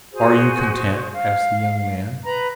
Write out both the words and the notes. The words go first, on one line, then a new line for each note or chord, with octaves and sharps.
"Are you content?" asked the young man.
F#4 G#4 C5
F5
B4 A#5 B5